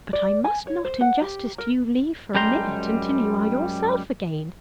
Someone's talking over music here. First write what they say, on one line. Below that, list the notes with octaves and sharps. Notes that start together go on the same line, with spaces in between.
"But I must not, in justice to you, leave for a minute, until you are yourself again."
D5
G#5
C#5
C5
F#5
G4
A#4
F#2 G3 G#3 G5 A#5 C6